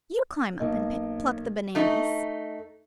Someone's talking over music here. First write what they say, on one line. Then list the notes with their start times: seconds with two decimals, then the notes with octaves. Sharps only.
You climb up and pluck the bananas.
0.60 B1 A#3 D#5
1.75 A3 D#4 A4 C#6